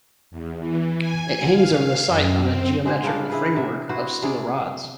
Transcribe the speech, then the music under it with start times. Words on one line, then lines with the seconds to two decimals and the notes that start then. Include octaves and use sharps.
It hangs over the site on a geometrical framework of steel rods.
0.31 E2
0.59 E3
0.99 G#5
1.48 F5
2.06 F#2
2.41 C4
2.85 G#3 G4 G#4 C5
3.04 C#3 G3 D4 F4
3.30 E4 G#4 B4
3.56 C3 E5
3.89 E4 F#4 B4 C5
4.22 C3 G#4 D5